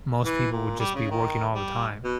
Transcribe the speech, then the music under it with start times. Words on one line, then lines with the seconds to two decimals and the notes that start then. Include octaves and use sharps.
most people would just be working all the time.
0.25 E3
0.52 A#2
0.80 G3
0.95 C#3
1.11 D#3
1.55 G3
2.04 B2